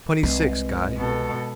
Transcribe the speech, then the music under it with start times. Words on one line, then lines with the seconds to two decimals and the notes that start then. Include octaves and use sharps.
"Twenty-six, Guy."
0.23 C2 G#3 C4 B4 D#5
0.96 B2 A4